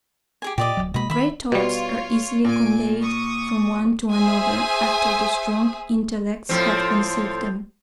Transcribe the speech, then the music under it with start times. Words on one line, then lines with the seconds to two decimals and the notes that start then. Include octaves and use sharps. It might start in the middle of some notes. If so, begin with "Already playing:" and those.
Great thoughts are easily conveyed from one to another after the strong intellects have conceived them.
0.42 G4 G#4 G#5
0.58 A#2 G4 D5 D#5
0.77 D1 D#2 F#3
0.94 B2 G#3 A#3 D#5 B5
1.10 D#3 E5 B5
1.52 B2 G3 F4 C#5
2.45 A#2 G#5 D7
3.02 C#6 D#6
4.13 G#4 C5 E5 G#5 D#6
6.49 A2 F3 C4